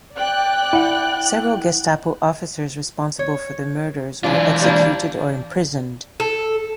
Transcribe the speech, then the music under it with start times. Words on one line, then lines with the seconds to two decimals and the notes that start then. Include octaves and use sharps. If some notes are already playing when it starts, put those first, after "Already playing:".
Several Gestapo officers responsible for the murders were executed or imprisoned.
0.17 D5 G5 F#6
0.73 E4 F#5
3.19 C#5
4.24 E3 D4 F4 G#5
4.62 G3 A#3 D4
6.20 A4